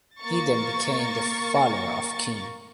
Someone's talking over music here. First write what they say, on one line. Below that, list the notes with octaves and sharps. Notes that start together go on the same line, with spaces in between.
He then became the follower of Kim.
A#3 C#6 A6